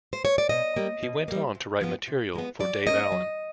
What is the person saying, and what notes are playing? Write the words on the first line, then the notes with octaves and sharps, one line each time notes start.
He went on to write material for Dave Allen.
C5
C#5
D5
B2 D#5
G3 A#3
B2
G3 A#3
C3
F3 G#3 B3
C3
F3 G#3 B3
F#3 D5
A#3 C#4 D#5
F#3